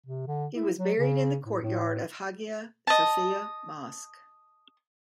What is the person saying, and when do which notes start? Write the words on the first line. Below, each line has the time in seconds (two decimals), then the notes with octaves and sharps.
He was buried in the courtyard of Haghia Sophia Mosque.
0.06 C3
0.27 D3
0.56 E4
0.78 F#3
0.99 C#3
1.45 A2
1.62 A2
2.87 D#5 A5